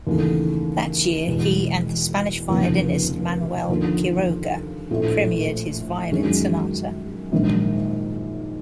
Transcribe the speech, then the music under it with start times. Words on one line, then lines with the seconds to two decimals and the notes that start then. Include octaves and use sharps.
That year he and the Spanish violinist Manuel Quiroga premiered his Violin Sonata.
0.07 D#2 C#3 E3 A3
1.27 E2 B2 G#3
2.48 F1 D#2 C#3 F3 A#3
3.69 D#2 D3 F3 A#3
4.91 A#1 A2 F3 A3
6.11 F#2 D#3 G#3 C#4 F#4
7.32 A#1 G#2 D#3 F#3 A#3